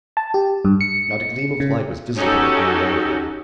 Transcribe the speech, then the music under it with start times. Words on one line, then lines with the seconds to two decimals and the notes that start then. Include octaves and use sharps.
Not a gleam of light was visible at any one of them.
0.17 A5
0.34 G4
0.65 G2
0.81 C#7
1.60 C#3
2.15 C#4 D#4 F#4 G4 A4